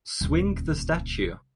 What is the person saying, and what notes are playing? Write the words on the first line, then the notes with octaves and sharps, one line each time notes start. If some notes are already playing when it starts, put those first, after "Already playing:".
Swing the Statue!
D#1 C#2